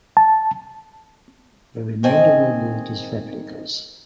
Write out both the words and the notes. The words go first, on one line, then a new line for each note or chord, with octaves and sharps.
The remainder were built as replicas.
A5
G#2 D#3 C4 D#5 G#5 A5